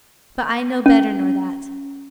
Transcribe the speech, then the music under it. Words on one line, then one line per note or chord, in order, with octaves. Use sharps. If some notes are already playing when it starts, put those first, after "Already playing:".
But I know better nor that.
C#4